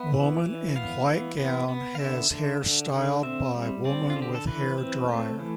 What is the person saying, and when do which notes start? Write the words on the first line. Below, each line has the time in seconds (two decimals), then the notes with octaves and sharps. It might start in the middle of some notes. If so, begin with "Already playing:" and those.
Woman in white gown has hair styled by woman with hair dryer.
Already playing: B3 E5
0.14 E3
0.45 E3
0.76 B3 F5
1.07 E3
1.37 B3
1.68 B3
1.95 F5
1.99 D3 E5
2.31 D3
2.62 D3
2.92 D3
3.23 C4 E5
3.54 G3
3.85 C4 D5
4.10 F4
4.16 D3
4.22 G4
4.35 A4
4.47 E3 B4
4.78 C4
5.09 A3
5.39 E3